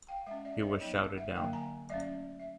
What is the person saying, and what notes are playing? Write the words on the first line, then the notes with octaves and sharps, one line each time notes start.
He was shouted down.
F5 G5
G#3 C#4 E5 F#5
D5 E5
C#5 D#5
F#3 B3 D#4 C#5 D#5
E5 F#5
D3 F#3 A#3 D4 F5 G5
G#5 A#5
F#3 A3 C#4 D5 E5
E5